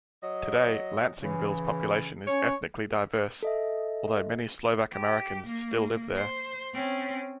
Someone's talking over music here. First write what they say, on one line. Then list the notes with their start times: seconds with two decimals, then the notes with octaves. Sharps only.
Today, Lansingville's population is ethnically diverse, although many Slovak-Americans still live there.
0.23 F#3 D#5
1.21 C#3 E3
2.27 C#4 C#5
3.43 A4 D#5 E5
4.93 G4
5.47 A#3
6.15 C5
6.73 C4 C#4